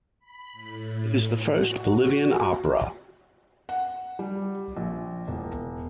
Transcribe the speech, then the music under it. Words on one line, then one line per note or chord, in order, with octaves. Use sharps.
It is the first Bolivian opera.
B5
A2
F#4
F#5
G3
A#1
E1